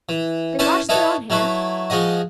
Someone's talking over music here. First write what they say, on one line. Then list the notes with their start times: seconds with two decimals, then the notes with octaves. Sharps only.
They washed their own hair.
0.09 E3
0.59 C#4 E4 B4 C5 G#5 A5
0.89 D#4 E4 A4 B4 C#5
1.30 F#3 A3 E4 B4
1.90 F3 G#3 F#4 D#5